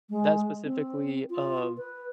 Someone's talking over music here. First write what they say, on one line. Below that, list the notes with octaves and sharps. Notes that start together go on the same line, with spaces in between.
that specifically of
G#3
C4
F4
B4